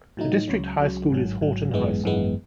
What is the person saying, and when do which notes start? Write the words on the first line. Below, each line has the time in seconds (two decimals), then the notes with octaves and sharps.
The district high school is Horton High School.
0.17 A2 F#3 A3 D#4
0.48 C#2 C#3 F#3
0.79 C#2 C#3 F#3
1.10 G#1 G#2 F#3
1.41 G#1 G#2 F#3
1.73 G#1 F#2 E3 G#3 B3
2.03 G#1 F#2 E3 G#3 B3